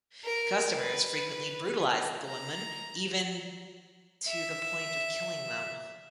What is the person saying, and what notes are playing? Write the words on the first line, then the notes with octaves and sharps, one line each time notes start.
Customers frequently brutalized the women, even to the point of killing them.
A#4
B4
A#5
E5